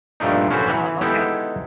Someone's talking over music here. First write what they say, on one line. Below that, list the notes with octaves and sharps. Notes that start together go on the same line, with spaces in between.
Oh, okay.
G2 A#2 F3 A3 D4 D#4
C#4 F#4 A4 B4 C5
E3
G#3 B3 D#4 E4 G4 A4